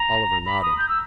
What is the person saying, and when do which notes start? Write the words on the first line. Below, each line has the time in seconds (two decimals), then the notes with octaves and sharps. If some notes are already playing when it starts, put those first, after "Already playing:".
Oliver nodded.
Already playing: A#5
0.46 B5
0.62 D#6
0.78 G6
0.89 E6